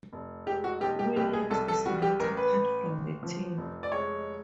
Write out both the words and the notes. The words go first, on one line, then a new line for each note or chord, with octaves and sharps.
Williams is later cut from the team.
F1
G#3 G4
F#4
B1 G4
G4
C2 G4
G#4
C2 A4
A4
G3 F#4
G4
A1 A#4
B4
A1
A1
F3
F1
D5
G#3 C#5